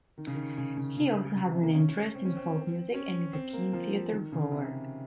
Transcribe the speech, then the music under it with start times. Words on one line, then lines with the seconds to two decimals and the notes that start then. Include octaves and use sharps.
He also has an interest in folk music and is a keen theatre goer.
0.18 D#3
0.27 C#3
0.35 D#3
0.58 C#3
0.77 C#3
0.97 C#3
1.36 C#3
1.50 C3
1.63 A#3
1.75 C#4
2.15 C4
2.25 C#4
2.37 C4
2.94 C#4
3.33 C4
3.53 A#3
3.73 F3
4.12 D#3
4.32 C#3
4.52 C3